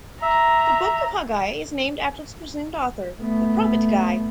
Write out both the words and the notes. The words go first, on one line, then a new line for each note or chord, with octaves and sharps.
The Book of Haggai is named after its presumed author, the prophet Haggai.
E5 A#5
A3 B3